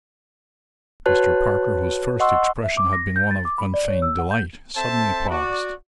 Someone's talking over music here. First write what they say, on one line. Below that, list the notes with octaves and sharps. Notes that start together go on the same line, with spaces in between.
Mr. Parker, whose first expression had been one of unfeigned delight, suddenly paused.
F#4 B4 C#5 A5 F#6
D#5 F#5 C6 C#6 E6
E5
D6
A#6
G6
A6
D6
B5
D5
C#5
E6
F#5
G6
C4 A4 C5 E5 A5
F#4 D5